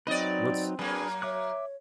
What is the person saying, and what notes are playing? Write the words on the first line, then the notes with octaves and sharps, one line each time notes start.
What's s
F#3 C4 D#4 B4 D5 D#5
F#3 A#3 D4 G#4 B4
C#5 E5 D6 F#6